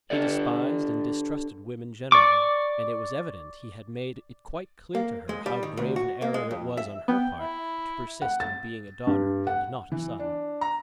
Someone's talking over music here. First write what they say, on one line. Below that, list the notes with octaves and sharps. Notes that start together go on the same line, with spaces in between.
He despised and distrusted women generally, and it was evident he had made it quite clear to her how grave an error it was on her part to persist in being a daughter and not a son.
D4 G4 A4 D5
D5 C#6 D6
A#3
G#3
G3
D#3
D2
F#4
A#3
G#3
F2
E5
B3 G5
E4
F#5
A6
G2
F#5
E3
D4
A#5